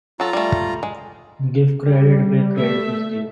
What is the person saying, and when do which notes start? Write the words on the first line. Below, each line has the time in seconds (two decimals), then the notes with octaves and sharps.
Give credit where credit is due.
0.20 F#3 F4 A4 A#5
0.33 G3 A3
0.83 G#3
1.86 G3
2.56 A3 E5